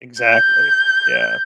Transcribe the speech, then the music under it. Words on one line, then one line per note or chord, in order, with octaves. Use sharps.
Exactly. Yeah.
G6